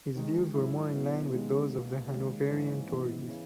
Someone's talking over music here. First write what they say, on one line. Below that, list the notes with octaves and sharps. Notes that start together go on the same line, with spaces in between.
His views were more in line with those of the Hanoverian Tories.
D#2 D#3 G#3 D#4
G#2 F#3 C#4 E4
B2 F#3 B3 E4 B4
D#2 C#3 G#3 B3 D#4
C#2 B2 A#3
D#2 C#3 G#3
G#2 E3 A#3 C#4
G#2 E3 B3
C#3 E3